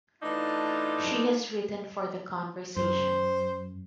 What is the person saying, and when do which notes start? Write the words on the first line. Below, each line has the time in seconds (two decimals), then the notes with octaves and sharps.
She has written for "The Conversation".
0.22 E3 A3 D4 D#4 F4
2.76 F#2 C5